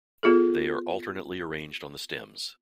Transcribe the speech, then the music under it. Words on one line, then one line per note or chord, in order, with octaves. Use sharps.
They are alternately arranged on the stems.
B3 F4 G#4 A4